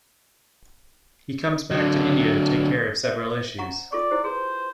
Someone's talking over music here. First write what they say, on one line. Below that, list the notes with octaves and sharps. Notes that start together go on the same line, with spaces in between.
He comes back to India to take care of several issues.
D3 F#3
C5 E5
F#5 A#5 C#6
F4 A4 D5 C#6
E4 G4 C5
G#4 B4 C5